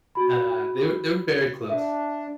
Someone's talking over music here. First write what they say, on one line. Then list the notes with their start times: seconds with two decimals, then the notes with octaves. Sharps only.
uh, they were they were very close,
0.15 F#4 B5
1.70 D4 E5